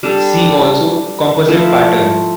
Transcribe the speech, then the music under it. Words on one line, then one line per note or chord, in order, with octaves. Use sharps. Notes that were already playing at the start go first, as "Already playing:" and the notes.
See also Composite pattern.
G3 D4 A4
F3 A3 E4